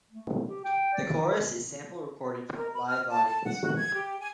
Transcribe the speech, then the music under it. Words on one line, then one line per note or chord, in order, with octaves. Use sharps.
The chorus is sample recorded from a live audience.
A3
G4
G5
D5
A#4
A#4
B5
F6
A5
A5
F#5
F#4
G#6
G4
G#5